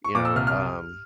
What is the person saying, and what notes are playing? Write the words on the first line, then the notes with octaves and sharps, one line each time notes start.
you know, um
C#6
A#2 D6
E6
C2 F6
F6